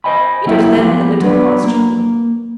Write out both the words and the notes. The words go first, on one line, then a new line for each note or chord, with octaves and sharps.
It was then a little past noon.
C5 D#5 G#5 B5
F#3 A#3 E4 G4 E5
F3 B3 G4
F#3 B3 D4 B4
A#3